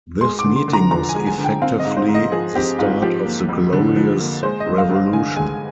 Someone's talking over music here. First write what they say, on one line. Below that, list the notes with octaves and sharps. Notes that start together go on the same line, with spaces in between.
This meeting was effectively the start of the Glorious Revolution.
G#3 C6
D6
D3
C6
D3
A#5
F3 A#5
G#5
G#3
G#5
D3
G5
C4 F5
D#5
G#2
C5
G#2
D#5
F3 G#4
C4 G4
G#2 F4
F3 G4
A#3
F2
D3
F3
A#3
G#3 C5
D#5
G2
F5
G2
F5
D3 G#5
G#3 G#5